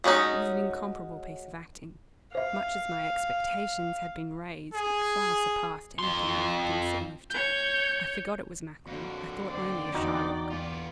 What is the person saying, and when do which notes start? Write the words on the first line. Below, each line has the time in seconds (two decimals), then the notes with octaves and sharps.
It was an incomparable piece of acting: much as my expectations had been raised, it far surpassed any thing I had conceived--I forgot it was Macklin, I thought only of Shylock.
0.04 F#3 G#3 C#4 D#4
2.35 C5 E5 F5
4.74 G#4
5.99 F2 C6
7.30 C#5 G6
8.87 F2 D3 F#4
9.50 C5 D5 G5
9.94 E2 E3 D#4 F#4
10.50 B3 F4